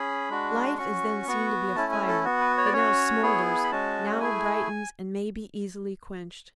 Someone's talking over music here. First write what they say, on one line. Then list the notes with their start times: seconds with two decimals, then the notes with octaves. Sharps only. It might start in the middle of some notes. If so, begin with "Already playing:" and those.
Life is then seen to be a fire, that now smoulders, now brightens, and may be easily quenched.
Already playing: C#4 G#4 B5
0.30 G#3 D4 F#4
0.78 C#4 F#4 C#6
1.27 B3 F#4
1.75 A3 C#4 E4 A5
1.92 G#5
2.08 A4
2.25 B3 F#4
2.41 B4
2.58 C#5
2.66 D5
2.73 C#4 F#4 C#5
3.23 B3 E4 G#4
3.64 B5
3.72 G#3 C#4 F#4 A5
4.20 A3 E4 G#4 G#5